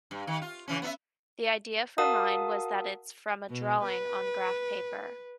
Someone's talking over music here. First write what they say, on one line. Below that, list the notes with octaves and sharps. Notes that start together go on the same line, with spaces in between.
The idea for mine was that it's from a drawing on graph paper.
G2
D#3
F4
C#3 E3 C#4
B3 D#4 E5
F#4 A#4 F5 F#5 A5 D#6
B2
B4